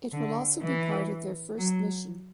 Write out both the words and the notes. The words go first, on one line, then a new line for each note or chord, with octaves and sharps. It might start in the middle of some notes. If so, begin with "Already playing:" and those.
It will also be part of their first mission.
D3
E3
F#3